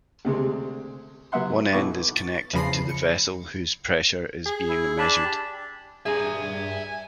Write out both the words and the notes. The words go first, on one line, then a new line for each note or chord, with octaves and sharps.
One end is connected to the vessel whose pressure is being measured.
D2 C3 G#3
F#3 B3 E5 F#5 C6
B1 B2 E3 B4 C#6 D6
A6
E2 C#3 F3 B5 A#6 C7
C#7
G#4
E4
D4 A5 B5
G4
G2 G#4 E5 G#5 A#5